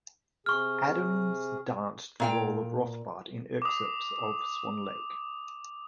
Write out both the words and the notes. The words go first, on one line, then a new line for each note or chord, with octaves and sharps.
Adams danced the role of Rothbart in excerpts of Swan Lake.
C3 G#4 C#6 F6
A#2 F5 G5
D6 D#6